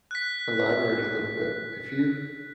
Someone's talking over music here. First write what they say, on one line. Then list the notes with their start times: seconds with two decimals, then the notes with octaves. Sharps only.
elaborate a little bit. If you
0.11 F#6 B6